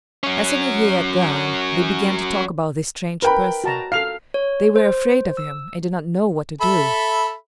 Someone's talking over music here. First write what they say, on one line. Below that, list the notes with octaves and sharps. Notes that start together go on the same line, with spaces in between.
As soon as he had gone they began to talk about this strange person. They were afraid of him and did not know what to do.
F#3 C#4
A#4 B4 G5 B5
F#4 A5 A#5
A4 F5 C7 F7
C#5
C5
E6
A4 E5 B5